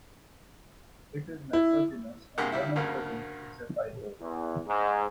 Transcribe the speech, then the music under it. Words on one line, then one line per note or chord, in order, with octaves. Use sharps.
It is nitrogenous, and one of the rings is a pyrrole.
E4
G2 C3 A#3 G4 G#4 F#5
C#2 G3 E4
D2 G2 C#3 A#3
E2
G#2